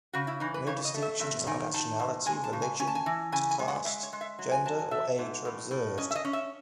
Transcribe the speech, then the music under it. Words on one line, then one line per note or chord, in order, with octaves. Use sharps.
No distinctions of nationality, religion, caste, gender, or age are observed.
C#3 F#4
E4
E3 D#4
B4
C#3 C#5
D#5
A3
E5
E2 E5
D#3 G#5
D#3 A5
E2
G#3 G#5
A5
C#3
G#5
C#4 G#5
A5
G#5
E3
C#3 G#5
G#5
G#3
F#5
G#3 E5
C#5
G#3
E5
F#3
G#5
F#3 A5
G#5
A3 E5
G#2
A2
A2
C#4 D#5
E5
D#5
C#4
E5